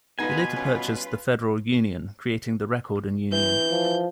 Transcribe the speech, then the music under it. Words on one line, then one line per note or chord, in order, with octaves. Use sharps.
He later purchased "The Federal Union", creating "The Record and Union".
B2 B3 D#4 F4 B4 G#5
G3 C#4
E3 G6
F3